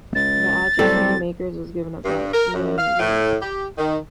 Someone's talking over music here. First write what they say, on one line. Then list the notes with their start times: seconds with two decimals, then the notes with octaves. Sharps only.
The address of the makers was given as Batavia, New York.
0.15 C#2 A6
0.79 C2 F#3 G3 C4 G4 A4
2.05 G2
2.33 A#4
2.53 F#2
2.78 F5
2.99 A2
3.41 G4
3.78 D#3